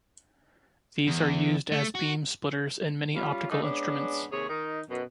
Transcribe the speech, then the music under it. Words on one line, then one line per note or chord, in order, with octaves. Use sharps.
These are used as beam splitters in many optical instruments.
E2
A3
F#4
G3 C#4 F4
G#3 A3 D4 D#4 A4
G#3 B3 C#4 D4
D#2 C3 G#4 C#5
D#3 D#4
F#2 B2